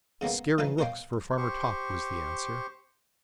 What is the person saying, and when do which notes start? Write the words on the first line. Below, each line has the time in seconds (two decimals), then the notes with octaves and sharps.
'Scaring rooks for Farmer Topp,' was the answer.
0.21 C#3 G#3 A#3 B3
0.58 E3 F3 D4 D#4 B4
0.78 A#4 C5 C#5 D#5 F5 G5
1.37 G4 C5 C#6